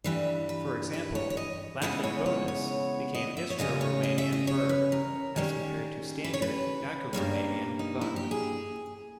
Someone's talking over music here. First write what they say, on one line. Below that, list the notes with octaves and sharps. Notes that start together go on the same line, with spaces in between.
For example, Latin "bonus" became Istro-Romanian "bur", as compared to standard Daco-Romanian "bun".
G2 E3 G3 B4
B4
B4
C#5
C#5
D#5
C#3 E3 G#3 B3 D#5
C#5
C#5
C#5
D#5
E5
C#5
E2 C#3 G3 C#4 D#5
C#5
D#5
E5
D#5
C#5
B4
A#4
D#3 G3 C#4 G#4
B4
C#5
B4
G2 G3 A#3 C#4
D#4
E4
G4
G#4